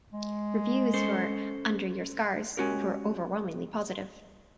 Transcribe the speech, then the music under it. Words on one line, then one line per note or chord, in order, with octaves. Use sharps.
Reviews for "Under Your Scars" were overwhelmingly positive.
G#3
C#4 A4 C5
G#3 C#4 F#4 G4 A#4